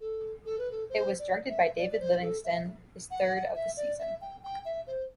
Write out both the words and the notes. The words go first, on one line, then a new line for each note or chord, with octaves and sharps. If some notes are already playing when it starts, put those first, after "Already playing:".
It was directed by David Livingston, his third of the season.
A4
A4
B4
A4
C5
D5
E5
D5
D5
C5
A4
E5
F#5
E5
D5
E5
G5
G5
E5
C5